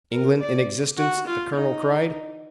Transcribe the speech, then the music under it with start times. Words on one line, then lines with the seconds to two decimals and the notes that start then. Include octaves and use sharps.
"England in existence?" the colonel cried.
0.12 A#4
0.40 D5
0.97 F#4
1.26 F4
1.55 D#4